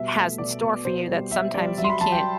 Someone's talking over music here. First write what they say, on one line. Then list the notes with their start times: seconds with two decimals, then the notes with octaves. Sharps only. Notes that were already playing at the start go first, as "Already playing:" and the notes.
has in store for you that sometimes you can't
Already playing: B2 G3 E5
0.15 A3
0.38 B2 D5
0.62 B2
0.85 B2 C5
1.08 G3
1.31 G3 E5
1.54 G3 D5
1.78 F#3 E5
1.84 C6
1.89 B5
2.01 F#3 A5
2.12 G5